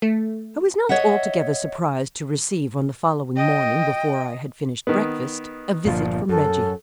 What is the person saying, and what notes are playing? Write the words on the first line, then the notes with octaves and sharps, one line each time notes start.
I was not altogether surprised to receive, on the following morning before I had finished breakfast, a visit from Reggie.
A3
C#5 D#5 E5 F#5
D#5 G5
D#3 B3
G1 A#2 F3
F#2 A4